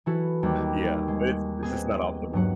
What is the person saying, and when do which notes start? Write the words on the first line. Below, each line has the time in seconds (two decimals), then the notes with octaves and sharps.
Yeah. But it's it's just not optimal.
0.06 E3 E4 F#4 A4
0.43 D#2 G3 B5
1.08 G#3
1.63 B3 C4 G#4
2.33 G2 F#3 F#5